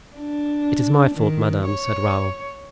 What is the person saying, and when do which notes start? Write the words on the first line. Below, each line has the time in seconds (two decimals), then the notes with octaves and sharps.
"It is my fault, madame," said Raoul.
0.16 D4
1.15 D#3
1.65 C#5